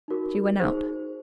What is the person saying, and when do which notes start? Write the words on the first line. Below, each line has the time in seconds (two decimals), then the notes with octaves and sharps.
She went out.
0.08 D#4 F#4 A#4
0.60 D#4 G#4 C5